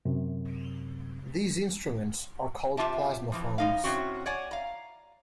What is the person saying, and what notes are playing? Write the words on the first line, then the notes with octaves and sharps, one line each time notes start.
These instruments are called plasmaphones.
F#2 C3
C3 G3 F4 G4 E5 A5
F2 E3 F3
F#2 D#4 F5
A2 C3 C4 C#4 F#4
C#5 D5 F#5 G#5
F5 A#5